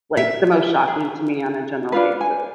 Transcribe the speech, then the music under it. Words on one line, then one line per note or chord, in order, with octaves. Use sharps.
like, the most shocking to me on a general basis.
E5
G#4
D4 F4 B4
G#5